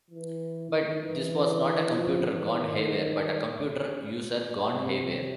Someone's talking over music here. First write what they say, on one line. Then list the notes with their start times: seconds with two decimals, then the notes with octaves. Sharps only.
But this was not a computer gone haywire, but a computer user gone haywire.
0.11 E3
0.71 D#3
1.02 E3
1.94 F3
2.25 E3
2.55 D#3
4.70 C3